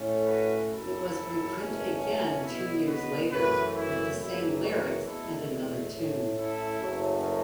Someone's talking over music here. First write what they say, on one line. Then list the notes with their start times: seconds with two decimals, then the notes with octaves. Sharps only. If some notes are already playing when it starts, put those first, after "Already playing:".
It was reprinted again two years later with the same lyrics and another tune.
Already playing: A2 A3 C#4
0.26 F#4 B4
0.69 F#1 F#2 F#3 E4 A4
1.57 F#1 E2 B2 A3 C#4
2.01 F#4
2.44 B1 B2 B3 E4
2.87 F#4 B4
3.31 F#2 E3 A3 F#4 B4
3.75 E4
4.18 F#1 F#2 E3 E4
4.62 F#4
5.05 E2 B2 A3 E4 A4
5.93 A2 A3 C#4
6.36 E4 A4
6.80 F#1 F#2 F#3 A3 C#4